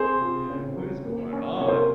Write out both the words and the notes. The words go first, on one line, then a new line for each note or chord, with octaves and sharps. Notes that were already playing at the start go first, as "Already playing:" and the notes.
Yeah, what is going on?
Already playing: C4 G#4 C5
F4
C#3
F#3
A#3
C#4
C3 C#5
C5
A#4